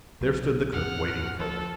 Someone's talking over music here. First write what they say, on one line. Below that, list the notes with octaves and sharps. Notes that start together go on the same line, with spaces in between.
There stood the cook waiting for them.
B1 F#3
F2 A2 F#5 F6
F3 A4